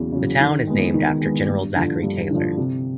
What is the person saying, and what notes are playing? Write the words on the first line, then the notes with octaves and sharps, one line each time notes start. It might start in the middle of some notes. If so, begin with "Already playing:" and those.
The town is named after General Zachary Taylor.
Already playing: E2 C#3 F#3
C#3 F#3
D#3
G#3 B3
D#3
G#3 B3
G2
D3 F3
G2
D3 F3
C3